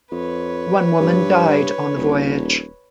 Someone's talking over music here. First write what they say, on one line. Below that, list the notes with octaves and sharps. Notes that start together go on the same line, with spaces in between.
One woman died on the voyage.
F2 B4 C#5
G2
D#1